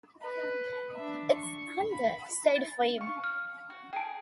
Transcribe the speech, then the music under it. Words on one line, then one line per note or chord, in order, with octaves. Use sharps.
"It's thunder," said Phebe.
B4
D4 E5
C#6
B5
A6
F5 C#6
F6
F#4
G#4 G5 A5